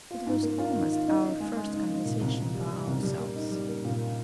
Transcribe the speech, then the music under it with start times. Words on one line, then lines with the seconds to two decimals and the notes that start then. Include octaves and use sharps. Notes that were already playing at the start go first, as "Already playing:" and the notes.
It was almost our first conversation by ourselves.
0.11 F4
0.26 G#2
0.43 A#3
0.59 F4
0.75 D#3
0.92 F4
1.08 D#4
1.24 D#4
1.40 G#3
1.56 G#3
1.73 D#4
1.90 D#3
2.05 A#2
2.21 C2
2.38 C2
2.54 G3
2.70 G3
2.87 C2
3.03 G3
3.19 A#3
3.36 D#4
3.51 G3
3.68 A#3
3.85 A#2